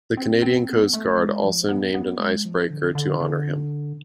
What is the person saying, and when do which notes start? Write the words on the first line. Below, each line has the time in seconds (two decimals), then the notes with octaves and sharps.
The Canadian Coast Guard also named an icebreaker to honour him.
0.17 C4
0.42 C4
0.67 B3
0.93 A3
1.18 G#3
1.43 F3
1.69 B3
1.94 B3
2.19 G#3
2.45 F3
2.70 D3
2.95 D3
3.20 D3